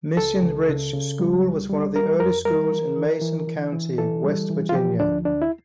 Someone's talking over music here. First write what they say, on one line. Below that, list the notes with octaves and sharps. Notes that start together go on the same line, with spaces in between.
Mission Ridge School was one of the early schools in Mason County, West Virginia.
C#2 A4
C#2
C#3
C#3
G3
C#2
G3
G3 A#4
F2 A#4
G3 A#4
E3
E3
E3
E3
E3
E3 A4
G3
E3
F4
F3 G4
D2 D4
D2 D4
E4